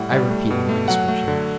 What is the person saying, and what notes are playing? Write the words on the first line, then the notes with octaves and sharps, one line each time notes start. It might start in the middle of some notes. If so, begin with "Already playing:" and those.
I repeated my description.
Already playing: A2 G3 F#5
G3
A3
B2
A3
F#3 F#5
A3
D3